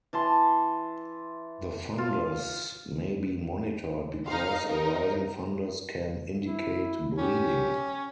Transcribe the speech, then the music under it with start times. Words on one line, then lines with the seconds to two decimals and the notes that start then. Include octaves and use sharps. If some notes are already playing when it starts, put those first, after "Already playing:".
The fundus may be monitored because a rising fundus can indicate bleeding.
0.13 E3 A5 C6
1.98 F4 F5
4.27 D#4 F5
4.68 D#4 A#4
6.44 E4
7.18 C#4 G4